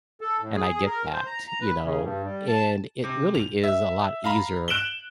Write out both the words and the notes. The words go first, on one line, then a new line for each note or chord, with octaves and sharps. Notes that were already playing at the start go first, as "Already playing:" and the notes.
and I get that, you know, and it really is a lot easier
A4
A2
G#4
A#4
C5
A#5
A#5
B4
C#3
G2
G3
A5
C3
F7
E5
F5 A#5 B5
F#6 D7 E7 F#7 G7